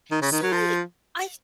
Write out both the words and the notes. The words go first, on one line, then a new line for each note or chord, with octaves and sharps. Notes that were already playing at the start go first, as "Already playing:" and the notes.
so, I I
D#3
C#3
D#3
F#3
F3